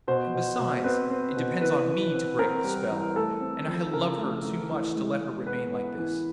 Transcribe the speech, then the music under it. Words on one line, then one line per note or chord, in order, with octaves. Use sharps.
And besides, it depends on me to break the spell, and I love her too much to let her remain like this.'
B2 C5
B2
B2
C4 B4
C4
B2
E3 B4
E3
C4
C4 A#4
G3
E3
A3 A4
C4
F3
C#3 A#4
A3
A3
E3
G#3
G#3
B3 B4
B3
E3